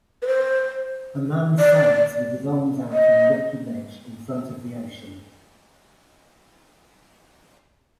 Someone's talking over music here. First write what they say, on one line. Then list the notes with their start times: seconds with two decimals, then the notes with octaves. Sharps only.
A man sands with his arms out on a rocky ledge in front of the ocean.
0.22 B4
0.27 C5
1.59 D5
2.93 D#5